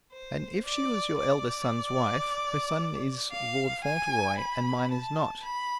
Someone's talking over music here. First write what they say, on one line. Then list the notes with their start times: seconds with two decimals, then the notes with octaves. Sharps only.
"And if she was your eldest son's wife, her son is Lord Fauntleroy, and mine is not."
0.13 C5
0.66 D5
1.19 D5
3.31 F5
3.84 G#5
4.38 B5
4.91 A5
5.43 B5